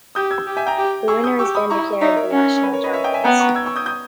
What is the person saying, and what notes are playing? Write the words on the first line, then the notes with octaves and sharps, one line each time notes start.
The winner is then declared the national champions.
G4 D#6 G6
E6 G#6
G4
E5 G#5
G5 A#5
G4
G#4 C#6 E6
D#6 G6
G4 C#6 E6
B5 D#6
E4 A#5 C#6
D#4 C#5 E5
A#4 C#5
C#4
B4
A#4 C#5
B4 D#5
C#5 E5
D#5 G5
E5 G#5
B3 G5 A#5
A#5 C#6
E6 G#6
C#6 E6
D#6 G6
D#6 G6